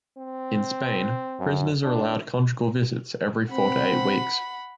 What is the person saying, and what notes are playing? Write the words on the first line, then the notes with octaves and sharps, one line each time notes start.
In Spain, prisoners are allowed conjugal visits every four to eight weeks.
C4
F#2
G#1 D4
C4 F#5 B5